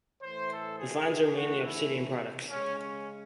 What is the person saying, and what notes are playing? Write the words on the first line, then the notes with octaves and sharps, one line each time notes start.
The finds are mainly obsidian products.
A2 E3 A3 C5
A4
G#4
A2 E3 A3 F#4
E4
C#3 G#3 C#4
C#4